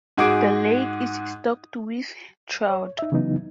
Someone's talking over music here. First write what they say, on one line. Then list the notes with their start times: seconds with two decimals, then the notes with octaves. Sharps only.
The lake is stocked with trout.
0.18 G#2 F#4 G#4 D6 D7
2.70 C#5
2.99 D#4 E5
3.12 C#3 E3 F#3 B3 D#4